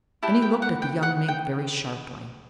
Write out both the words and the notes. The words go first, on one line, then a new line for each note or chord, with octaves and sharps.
Then he looked at the young Mink very sharply.
E4 G4 B4 A5
G5
F#5
G5
F#5
G5